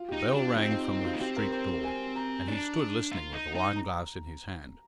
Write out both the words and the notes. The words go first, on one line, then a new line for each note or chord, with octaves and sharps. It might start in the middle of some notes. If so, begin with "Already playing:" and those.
The bell rang from the street door, and he stood listening with the wine-glass in his hand.
Already playing: F4
D#4 G4
G4
D4
F4
C4 D#4
D#4
D#4
F4
A#3
C4 G4
A#4
C5
G#5
A#5
D4
F4
D#4
D#4
A#5